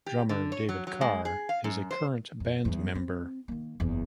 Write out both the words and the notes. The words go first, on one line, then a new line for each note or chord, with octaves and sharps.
Drummer David Carr is a current band member.
G4
D3
C#5
F#3
F#3
G#3
G#4
F5
F#2
C5
F2
E2 G2
C4
D#3 A#3
F#1 E2